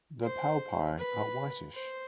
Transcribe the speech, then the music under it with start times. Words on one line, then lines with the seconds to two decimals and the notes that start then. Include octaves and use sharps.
The palpi are whitish.
0.23 C5
0.98 B4
1.73 C5